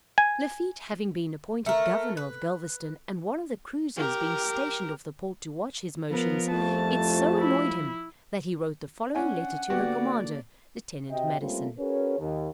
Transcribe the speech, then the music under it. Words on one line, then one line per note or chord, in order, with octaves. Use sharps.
Lafitte having been appointed governor of Galvezton and one of the cruisers being stationed off the port to watch his motions, it so annoyed him that he wrote the following letter to her commander, Lieutenant Madison.
G#5
A3 A#4
B4
G4 A#4
F3 B3 A#4
C2 F2 A3 A5
E4
C#4 D4 F#5 G#5
D3 A#3 B3 F#4 G4 D5
C3 F#4 D#5 E5 G5
G3 A3 A#3 C4 C#4 F4
C#4 F#4 G#4 A#4 B4 C#5
D#2